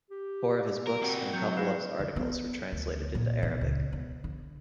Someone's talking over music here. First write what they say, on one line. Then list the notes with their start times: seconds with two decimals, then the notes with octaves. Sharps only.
Four of his books and a couple of his articles were translated into Arabic.
0.11 G4
0.87 A#4
1.02 A#3 C4 F#4
1.33 F#3 G6
1.57 E4 B4 F5
2.00 D3
2.16 B3
2.72 D2
3.15 A#2
3.43 B2
3.61 C#2
3.93 B2
4.24 D3